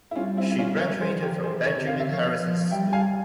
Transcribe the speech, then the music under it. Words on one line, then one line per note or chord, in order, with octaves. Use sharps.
She graduated from Benjamin Harrison School.
E4
G3 C#4 F4
C4 E4
E4
C#4 F4
G3 A#4 C#5
G#4 C5
F3 C5
G4 A#4
E3 G#4 C5
A#4 C#5
C3
F5
E5
F3
C#5 F5
F3
G3 E5 G5
F5 G#5